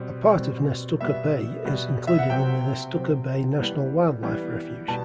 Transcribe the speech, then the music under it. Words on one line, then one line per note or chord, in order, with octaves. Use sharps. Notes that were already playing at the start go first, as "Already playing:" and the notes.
A part of Nestucca Bay is included in the Nestucca Bay National Wildlife Refuge.
Already playing: B2 G3 C4
B2 G3 C4
B2 G3 B3 E5
B2 G3 B3
E5
F#5
C3 F#3 C4 G5
C3 F#3 C4
E3 G3 B3
E3 G3 B3
B2 G3 B3 A5